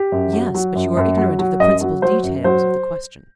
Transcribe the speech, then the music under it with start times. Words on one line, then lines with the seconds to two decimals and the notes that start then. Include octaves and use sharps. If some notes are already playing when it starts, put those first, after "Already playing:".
"Yes, but you are ignorant of the principal details of the question."
Already playing: G4
0.12 F#2
0.33 F#3
0.55 F#3
0.75 F#2
0.97 F#2
1.17 F#3
1.39 F#3
1.60 F#2 D#5
1.81 F#3
2.02 F#3 C5
2.23 F#2
2.44 F#3 C5